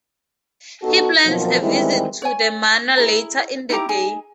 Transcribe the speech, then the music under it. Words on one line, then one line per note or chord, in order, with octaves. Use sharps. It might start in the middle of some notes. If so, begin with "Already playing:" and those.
He plans a visit to the manor later in the day.
B3 D#4 F#4 A4
B2 D#3 F3 F#3 A#3 C4
D#3 E3 G3 G#3 C4 E4
C#5 G#5
E4 G#4 A#5
D#4 E4 G4 A#5
D#4 G#4 G#5